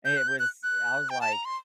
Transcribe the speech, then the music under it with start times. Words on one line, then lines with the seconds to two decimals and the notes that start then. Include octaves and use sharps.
It was I was like,
0.05 G6
0.17 F#6
0.28 G6
0.39 F#6
0.63 F#6
1.10 G5
1.21 A5
1.33 A#5
1.45 C6